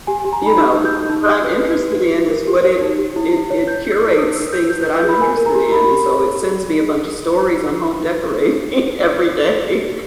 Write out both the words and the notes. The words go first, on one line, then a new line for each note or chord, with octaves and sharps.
You know, b where I'm interested in is what it it it curates things that I'm interested in, and, so, it sends me a bunch of stories on home decorating every day,
G4 G#5
G#5
G4
A#5
D#4 B5
D#4 E6
D#4
G6
D#4
D#4 G6
G4
B4
D#4
B4
G4
D#4
A#4
G4
C#5
D#4
G4
E4
E4
C#5
E4 G6
E4
E6
E4
E4 D#6
E4 E6
B4 G6
E4 G6
G6
B4
E6
G#4
B5
A#4 G#5
A#4
A#5
G4
A#4 B5
G4
B5
C#5
G#4
G#4